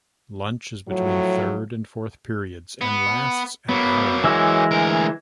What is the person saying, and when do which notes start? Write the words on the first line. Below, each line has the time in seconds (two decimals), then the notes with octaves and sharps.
Lunch is between third and fourth periods, and lasts an hour.
0.88 A2 F3 F#3
2.81 B3
3.69 F#3 A#3 B3
4.24 E3 G#3 E6
4.71 D2 A#4